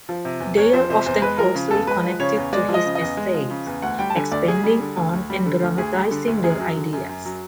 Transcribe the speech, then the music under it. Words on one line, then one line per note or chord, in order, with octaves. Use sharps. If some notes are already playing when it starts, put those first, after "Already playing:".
They are often closely connected to his essays; expanding on and dramatizing their ideas.
F3
C3
E2
E2 C#5
F3 C5
C3 C5
E2 C5
G#3 B4
F3 A#4
C#3
E2 A4
G#3 B4
F3
C#3 C#5
E2
G#3 D5
F3
D#5
C#3
D#5
E2
G#3
F3
C#3
E2
D2 F#5
G3 G5
A5
D3 G#5
D2 D5
D2 G#4
G3
D3
D2
D2
G3
D3
D2
D2 G#4
G3
D3
D2
F#2 G#4
F#3
D3
F#2
F#2
F#3